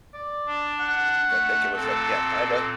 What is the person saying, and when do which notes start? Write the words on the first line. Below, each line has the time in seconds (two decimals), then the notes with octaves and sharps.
I think it was, like yeah, kinda
0.14 D5
0.47 D4
0.80 F#5
1.27 A3
1.75 A#2 C4 A4